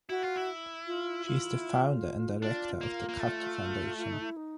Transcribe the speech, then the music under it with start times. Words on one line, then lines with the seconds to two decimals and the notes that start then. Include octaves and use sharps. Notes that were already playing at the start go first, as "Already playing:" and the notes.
She is the founder and director of the Khatt Foundation.
0.09 E4 F#4
0.23 F4
0.36 E4
0.87 F4
1.26 F4
2.42 D4 F4
2.81 A#3
3.09 A#3
3.20 A3
3.97 F4
4.04 E4
4.12 D#4
4.20 E4
4.36 D#4